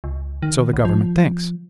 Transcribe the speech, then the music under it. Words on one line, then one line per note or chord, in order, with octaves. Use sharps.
So the government thinks.
C#2
D#3
B1
F3